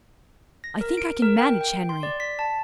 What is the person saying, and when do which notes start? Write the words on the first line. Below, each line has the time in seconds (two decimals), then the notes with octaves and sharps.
I think I can manage Henry.
0.64 A#6
0.81 A#4
0.97 D7
1.22 A#4
1.38 G5
1.61 G5
1.89 C6
2.03 D5
2.20 B6
2.39 A5